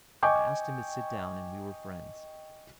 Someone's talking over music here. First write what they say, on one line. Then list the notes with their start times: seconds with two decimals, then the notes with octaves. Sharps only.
I asked him to sit down and we were friends.
0.23 D#5 G5 G#5 C#6 D6 G6